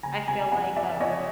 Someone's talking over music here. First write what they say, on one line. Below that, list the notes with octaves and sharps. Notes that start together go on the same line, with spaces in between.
I feel like, um
F#1 G#5 A#5
C3 G#5 A#5
F2 F#5 G#5
F2 D5 E5
F2 C#5 D#5